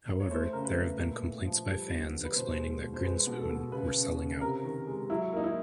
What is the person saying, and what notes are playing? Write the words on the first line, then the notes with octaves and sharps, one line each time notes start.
However, there have been complaints by fans explaining that Grinspoon were "selling out".
C#5
A3 C5
C#3 A#4
B4
A3
A#2 B4
A3
F3
G3
D3
D3
B4
B2 C5
G#3
B2
C5
G#3 B4
B2
A4
B2
C#3 B4
C#3
C#3
C3 A#4
D#3
G#3
F#3 E4
A#3 D#4
E4